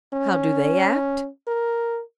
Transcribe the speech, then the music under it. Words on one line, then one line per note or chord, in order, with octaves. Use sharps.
How do they act?
C#4
A#4